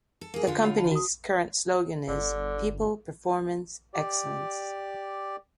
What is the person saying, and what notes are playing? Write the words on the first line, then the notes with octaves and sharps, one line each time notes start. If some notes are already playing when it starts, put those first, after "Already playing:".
The company's current slogan is, People, performance, excellence.
A4
A#3 G#4
D3 F4
C#5 F#5 B5
A5 B5
F#4 D#6
G1 D3
G4 D5